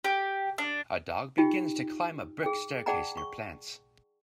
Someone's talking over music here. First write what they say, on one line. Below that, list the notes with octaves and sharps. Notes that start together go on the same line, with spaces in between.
A dog begins to climb a brick staircase near plants.
G4
D4
D#4 F4 G4 G5
G#4 G5
G#4 D5 F#5 G5 A5 A#5
C#6